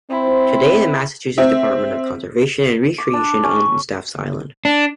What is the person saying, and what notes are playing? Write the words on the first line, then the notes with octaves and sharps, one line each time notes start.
Today the Massachusetts Department of Conservation and Recreation owns and staffs the island.
C4 E4 C5
C4 E5
D6
D4
C#4
D4